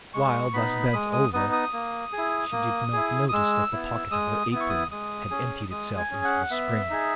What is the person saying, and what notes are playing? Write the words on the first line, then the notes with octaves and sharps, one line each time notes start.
While thus bent over, she did not notice that the pocket of her apron had emptied itself into the spring.
G#3 C#6
B3 D#4 B5
G#3 D#6
D#6
B3 D#4 D#6
D#6
A#3
G#4
E4
A#3
E4 G#4
D#6
G#3 E6
B3 E4
G#3 D#6
B3 E4 D#6
C#6
D#6
G#3 D#6
C#4 G#4
G#3 D#6
G#5
C#4 G#4
F#5
B3 E5
D#4 G#4